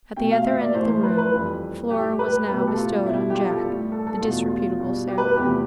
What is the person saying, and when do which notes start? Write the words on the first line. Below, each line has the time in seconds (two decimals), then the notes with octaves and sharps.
At the other end of the room Flora was now bestowed on Jack, the disreputable sailor.
0.16 B2 A3 G5
0.31 F5
0.46 E5
0.61 D5
0.75 A2 E3 A3 C5
0.89 C5
1.03 B4
1.18 B4
1.32 F2 E3 G3
1.91 A2 G3 G4
2.19 B4
2.48 B2 A3 B4
2.57 G4
2.67 A4
2.77 F4
3.06 B2 G3 E4
3.30 G4
3.35 F4
3.49 A4
3.64 A2 G3
3.92 A4
4.07 A4
4.21 E2 B2 A3 F4
4.50 F4
4.79 B2 G3
5.08 G4
5.18 B4
5.37 E2 C3 F3 A3 G4